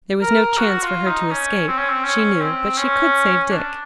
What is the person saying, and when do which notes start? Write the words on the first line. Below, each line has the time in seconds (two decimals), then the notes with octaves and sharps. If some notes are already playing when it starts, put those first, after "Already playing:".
There was no chance for her to escape, she knew, but she could save Dick.
0.22 A#4
0.58 F#4
0.82 F4
1.07 D#4
1.31 C#4
1.68 C4
1.79 C#4
1.89 C4
2.04 C#4
2.41 C4
2.78 C#4
3.51 D4